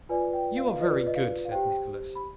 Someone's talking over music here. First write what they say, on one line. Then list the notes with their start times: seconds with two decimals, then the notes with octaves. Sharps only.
'You are very good,' said Nicholas.
0.09 F4 B4 D5 G#5
0.33 G5
0.57 F5
0.70 F5
0.80 F4 B4 D5 D#5
1.07 D#5
1.15 F5
1.45 F5
1.51 G4 C5 G5
2.15 B5